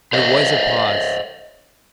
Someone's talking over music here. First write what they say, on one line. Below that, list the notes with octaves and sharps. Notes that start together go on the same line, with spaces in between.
There was a pause.
C5 C#5 D#5 E5